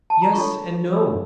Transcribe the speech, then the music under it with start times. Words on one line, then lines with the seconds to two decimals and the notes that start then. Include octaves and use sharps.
"Yes and no."
0.10 A5
0.22 A#5
0.33 D4 F4 A4 C#5 C#6
0.93 F4 A4 C#5 E6